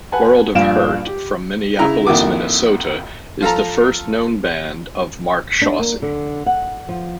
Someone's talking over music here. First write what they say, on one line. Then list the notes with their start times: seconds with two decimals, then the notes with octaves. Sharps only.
World of Hurt from Minneapolis, Minnesota is the first known band of Mark Chaussee.
0.12 B4 F#5 G#5 A5
0.55 A#1 G2 F4 F5 D7 E7
1.07 G4
1.79 C#3 E4 A#5
2.07 A#1 F2 D#3 E4 F#4 D6
3.41 F3 F4 A4 A#5
5.62 D4
5.79 A#3
6.02 D3
6.46 F#5
6.89 F3